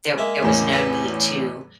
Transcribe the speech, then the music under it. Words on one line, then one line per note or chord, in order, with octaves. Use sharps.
There there was no need to
G#3 A#3 E5
E2 A2 C#4
A4 B4 G#5